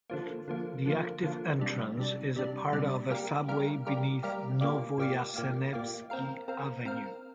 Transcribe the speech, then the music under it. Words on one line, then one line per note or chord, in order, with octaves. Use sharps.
The active entrance is a part of a subway beneath Novoyasenevsky Avenue.
D3 F3 A#3
D3 F3 A#3
D3 F3 A#3
D3 F3 A#3
C3 G3 D4
C3 G3 D4
C3 G3 D4
C3 G3 D4
G3 A#3 G4 A#4 F5
G3 A#3 G4 A#4 F5
G3 A#3 G4 A#4 F5
G3 A#3 G4 A#4 F5
A#2 A#3 G4 D5 F5
A#2 A#3 G4 D5 F5
A#2 A#3 G4 D5 F5
A#2 A#3 G4 D5 F5
C4 A#4 F5
C4 A#4 F5
C4 A#4 F5